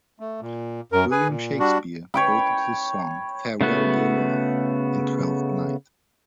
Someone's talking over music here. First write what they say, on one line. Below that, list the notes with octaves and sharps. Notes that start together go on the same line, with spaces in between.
William Shakespeare quoted his song, 'Farewell, dear love', in Twelfth Night.
A3
A#2
F#2 A#4
G#4 B4 G#5
A#2
G3 D4 F#4
C#5 G5 B5
C#3 A3 B3 F#4